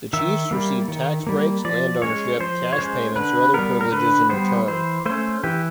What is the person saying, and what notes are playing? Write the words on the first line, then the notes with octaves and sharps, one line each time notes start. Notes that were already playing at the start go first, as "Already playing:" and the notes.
The chiefs received tax breaks, land ownership, cash payments, or other privileges in return.
D#3 E5
G3 A#3
D#3
G3 A#3
F3 D5
G#3 C#4 C#5
F3 C5
C#5
G#3 C#4 C5
D3 B4
G3 B3 A#4
A#4
D3 B4
G3 B3 C5
E3 C5
A3 C#4 C5
E3 G4